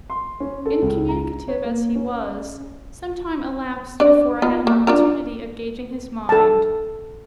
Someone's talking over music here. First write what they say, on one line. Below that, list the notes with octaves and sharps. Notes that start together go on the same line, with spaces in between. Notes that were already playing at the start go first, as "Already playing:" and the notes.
Incommunicative as he was, some time elapsed before I had an opportunity of gauging his mind.
C6
C#4
A4
C#2
A#5
C#5
A#3
C#4
D4 D5
B3 D#4 F4
A#3
D4 F4 A#4
A4 A5